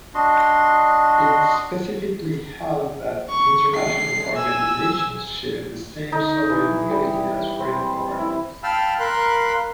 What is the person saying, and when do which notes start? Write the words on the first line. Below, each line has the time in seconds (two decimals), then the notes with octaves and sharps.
It specifically held that international organizations shared the same sovereign immunity as foreign governments.
0.15 D4 F#4 D#5 C6
3.30 C#6
3.75 C7
4.35 G#5 E6
6.12 D#4
6.50 E3
6.90 G3
7.60 C4
8.19 E4
8.63 F5 G5 A5 B5 E6 F6
9.00 A#4 F5 B5 C6 F#6